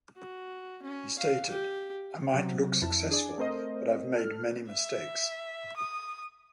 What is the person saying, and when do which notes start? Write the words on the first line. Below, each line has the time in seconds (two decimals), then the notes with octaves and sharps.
He has stated: I might look successful but I've made many mistakes.
0.17 F#4
0.83 C#4
1.19 F5
1.50 G4
2.34 C3 F#3
2.82 F2 E4 A5
3.09 D4 G#4 D5
3.38 A3 C4 A#4 C5 D#5
4.15 A4 F6
4.70 E5
5.77 D#6